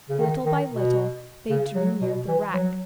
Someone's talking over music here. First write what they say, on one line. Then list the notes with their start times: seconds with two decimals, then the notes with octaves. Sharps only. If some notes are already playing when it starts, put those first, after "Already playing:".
Little by little they drew near the wreck.
0.09 C#3
0.19 D#3
0.45 D#3
0.71 B2
1.50 C#3
1.75 F#3
2.01 B2
2.28 E3
2.54 F#3